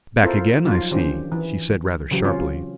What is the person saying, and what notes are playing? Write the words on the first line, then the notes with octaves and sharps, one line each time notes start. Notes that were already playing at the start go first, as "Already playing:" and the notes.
"Back again, I see," she said rather sharply.
C4 E4 F4 A4 A#4 C5
F3 F#3 D#4 F4
D#3 E3 C#4 D4 G4 C5
E3
C#3 E3 F#3 G4
C4 C#4 F4 C#5